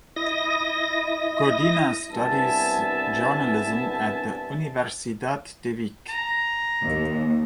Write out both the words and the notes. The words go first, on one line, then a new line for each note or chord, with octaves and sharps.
Codina studies journalism at the Universidad de Vic.
E4 D#5 D#6 A#6
C2 G2 B3 E5 G#5 A5
A#5
D#2